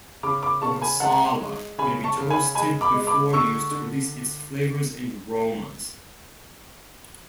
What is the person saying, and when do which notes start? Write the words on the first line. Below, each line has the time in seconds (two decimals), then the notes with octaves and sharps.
A masala may be toasted before use to release its flavours and aromas.
0.23 C#3 B5 D6
0.43 B5 D6
0.62 C#3 A5 C#6
0.81 G#5 B5
1.00 G#3 F#5 A5
1.39 G#3
1.78 C#3 G#5 B5
2.04 A5 C#6
2.17 C#3
2.30 G#5 B5
2.55 G#3 G#5 B5
2.81 B5 D6
2.94 G#3
3.07 B5 D6
3.33 D3 C#6 E6
3.71 D3